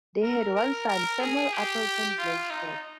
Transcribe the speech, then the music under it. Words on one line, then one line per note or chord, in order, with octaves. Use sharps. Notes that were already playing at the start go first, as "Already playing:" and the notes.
They had one son, Samuel Appleton Blatchford.
A#4
A#4
A#4
G#4
G4
F4
D#4